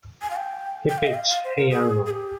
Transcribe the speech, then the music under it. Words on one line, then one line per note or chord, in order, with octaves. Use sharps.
He pitched Hey Arnold!
G#5
F5
G5
G5
F5
D#5
F5
F5
C5
A#4
G#4
G#4
G4